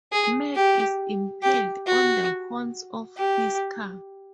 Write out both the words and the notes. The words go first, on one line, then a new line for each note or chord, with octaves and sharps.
Mac is impaled on the horns of his car.
G#4
G4
G4
F#4
G4